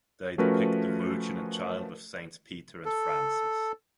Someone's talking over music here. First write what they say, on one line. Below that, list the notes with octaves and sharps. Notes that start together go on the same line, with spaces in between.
They depict the "Virgin and Child with Saints Peter and Francis".
F3 A3 C#4 F#4 A#4 B4
A4